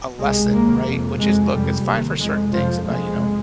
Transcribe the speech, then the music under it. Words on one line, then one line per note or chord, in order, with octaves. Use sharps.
a lesson, right, which is look, it's fine for certain things about you know,
C2 C3 G#3
D#2 A#3
F2 C3
F2 C3 G#3
F2 C3 G3
D#2
F2 C3 G#3
F2 C3 F3
F2 C3 G#3